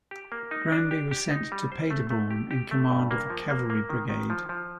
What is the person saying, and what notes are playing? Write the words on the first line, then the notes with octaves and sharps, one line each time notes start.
Granby was sent to Paderborn in command of a cavalry brigade.
G4
A#3
D#4
D4
G4
G4
D#4
G3
C5
A3
A3
G4
G4
A3
G2
A#3
F3
A#3
A#3
D#3
D#3
F3
F3